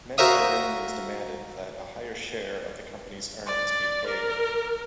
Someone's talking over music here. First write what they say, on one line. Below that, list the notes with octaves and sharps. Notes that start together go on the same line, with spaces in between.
Many Iranians demanded that a higher share of the company's earnings be paid.
F#4 A#4 C5 E5 F5 D#6
D5
A#4